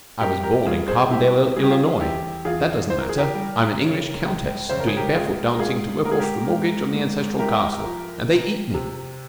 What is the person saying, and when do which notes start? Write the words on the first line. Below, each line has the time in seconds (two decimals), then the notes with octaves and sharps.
I was born in Carbondale, Illinois, but that doesn't matter--I'm an English countess, doing barefoot dancing to work off the mortgage on the ancestral castle, and they eat me.
0.21 G2 G4 A#4
0.43 G4 A#4
0.66 G2 F4 G#4
0.88 G#4 C5
1.10 G3 E4 G4
1.56 G3 G#4
1.64 G4
1.70 F4 G#4
2.01 E2 E4 G4
2.45 E2 F4 G#4
2.90 E3 C5
3.00 A#4
3.09 G#4
3.17 G4 A#4
3.35 G3
3.80 C#3
4.26 C#2
4.69 C#3 C5
4.80 A#4
4.87 G#4
4.97 G4 A#4
5.15 C#2 F4 G#4
5.55 A#4
5.59 G#2 F4 G#4
6.05 G#2 A#4
6.12 G#4
6.19 G4 A#4
6.49 G#2
6.94 G#2
7.39 C2 G4 A#4
7.84 F3
8.30 F3
8.74 C3